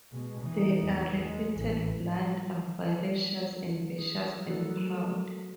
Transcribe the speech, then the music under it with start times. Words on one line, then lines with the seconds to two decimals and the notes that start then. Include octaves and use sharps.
They are reputed blind, avaricious, envious and proud.
0.12 B2 G#3
0.41 E3 D#4
0.87 E2
1.17 G#3
1.55 A1 E3
3.98 G#4
4.46 F#3 A3 B3 F#4 A4 A#4